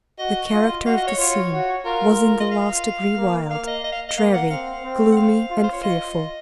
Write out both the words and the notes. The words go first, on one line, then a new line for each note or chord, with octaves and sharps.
The character of the scene was in the last degree wild, dreary, gloomy and fearful.
F#4 D#5
F4
F#4 F5
D#5
C#5
F4 C#5
F#4
F4 A#4
F4
D#5
F5
A#3
A#3 F5
D#5
D#5
F5
D#5
A#3 F5
F#5
C4 F5
C4
F#5
F5
F4
C5
C#5
F4 D#5